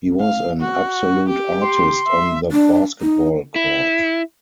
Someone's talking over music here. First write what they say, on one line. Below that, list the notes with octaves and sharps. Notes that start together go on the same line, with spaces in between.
He was an absolute artist on the basketball court.
F5
F#4
G4
C6
E5
D4
D#4
E4